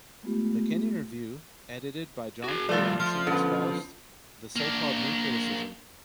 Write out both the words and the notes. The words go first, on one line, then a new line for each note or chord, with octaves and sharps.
"The Kenyon Review", edited by John Crowe Ransom, espoused the so-called New Criticism.
G#3 A3 B3 F4 G4
F#4 G#4
F3 G3 A3 F4 A4 D5 F5
F3 C6 F6
D3 B3 C#4
A#3 D4